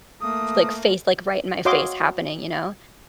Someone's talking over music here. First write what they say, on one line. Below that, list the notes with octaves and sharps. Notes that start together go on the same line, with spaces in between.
like, face like, right in my face happening, you know?
A3 A#3 D#6
F#4 C#5 D#5 F5 C6 D6